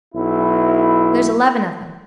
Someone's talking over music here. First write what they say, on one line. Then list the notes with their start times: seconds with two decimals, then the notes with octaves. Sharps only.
There's eleven of them.
0.15 B1 E4